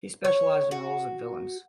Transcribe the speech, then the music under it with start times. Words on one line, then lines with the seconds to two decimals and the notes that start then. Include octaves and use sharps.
He specialized in roles of villains.
0.25 C#5
0.71 F#4